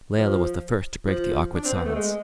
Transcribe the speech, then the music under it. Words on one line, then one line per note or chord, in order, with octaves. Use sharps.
Layelah was the first to break the awkward silence.
F3
F3
D4
C4
B3
A3
G#3